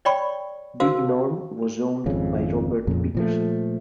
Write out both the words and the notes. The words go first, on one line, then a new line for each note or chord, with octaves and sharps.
Big Norm was owned by Robert Peterson.
C#5 D5 G5 B5 C#6
F#4 A#4 C5 F5 E6
G#1 F2 C#3
F2 A#2 C#3
A#2 F3 A3